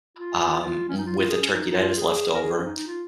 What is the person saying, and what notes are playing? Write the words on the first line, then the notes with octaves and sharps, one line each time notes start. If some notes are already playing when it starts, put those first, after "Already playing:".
um, with the turkey that is leftover.
F4
F4
C#4
D#4
F4
F4
G#4
C#4
D#4
D#4
F4
G#4
A#4
G#4
C#4
D#4
D#4
F4